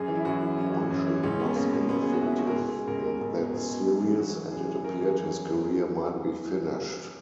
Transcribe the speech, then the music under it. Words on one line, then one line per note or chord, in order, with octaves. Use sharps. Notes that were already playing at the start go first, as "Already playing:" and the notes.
Reuschel was ineffective in that Series, and it appeared his career might be finished.
Already playing: F#2 G#4
E3
E4
F#2 F#4
E3
F#2 C#4
E3
F#2
E3
C#2 C#4
B2 B3
C#2 A#3
B2
C#2 B3
B2 G#4
F#4
C#2 E4
B2 F#4
A#4
C#2 G#4
B2
C#2 A#4
G#4
B2 A#4
C#2
B2
C#2 G#4
B2
F#2
E3
F#2 F#4
E3
F#2 G#4
E3
F#2 A#4
E3 G#4